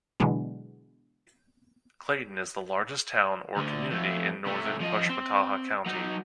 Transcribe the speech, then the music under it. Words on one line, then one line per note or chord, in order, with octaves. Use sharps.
Clayton is the largest town or community in northern Pushmataha County.
B2 D3 E3 F#3 G#3 B3
D2 D3
F2 A3
C3 A3
F3 D#5
C4
F#3 D#4